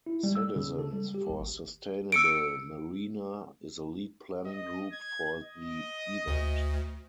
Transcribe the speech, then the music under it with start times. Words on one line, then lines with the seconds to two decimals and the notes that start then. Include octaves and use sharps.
Citizens for Sustainable Marina is the lead planning group for the event.
0.06 E4
0.24 G3
0.36 E6
0.56 C#3
0.79 A4
0.93 G3
1.15 G4
1.30 G#1
2.12 E6 C#7 D7
4.45 D#5
4.93 G#6
5.44 D#5
6.27 D2